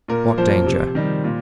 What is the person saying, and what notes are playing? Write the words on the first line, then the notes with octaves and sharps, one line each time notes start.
"What danger?"
A#2 A#4
F3 C5
C3
D#3 G3
A#2